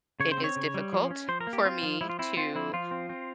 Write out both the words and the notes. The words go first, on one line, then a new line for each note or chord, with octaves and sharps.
it is difficult for me to
C#3 C#5
C5
C4
C#5
C#3
G3
F3
C#4
F3 C5
A#4
A#3
G4
C4 F4
F3
F3 E4
F4
C4 E4
C4 F4
F3 E4
F3 F4
C4
C4